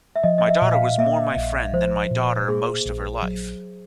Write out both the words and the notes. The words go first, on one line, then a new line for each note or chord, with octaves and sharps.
My daughter was more my friend than my daughter most of her life.
E5
F3 D#5
D#5
E5
A#2
F5
A#3 E5
A#1
F3 C5
A#2
A#3 G#4
A#1
F#3